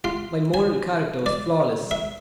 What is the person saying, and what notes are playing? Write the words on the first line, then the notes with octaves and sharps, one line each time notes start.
My moral character was flawless.
F4
G#5
D5
E5